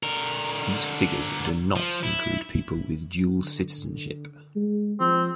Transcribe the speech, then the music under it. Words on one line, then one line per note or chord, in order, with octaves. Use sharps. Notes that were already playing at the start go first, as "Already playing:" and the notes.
These figures do not include people with dual citizenship.
D3 A#4
F3
E4
D3
G#3
F3 C4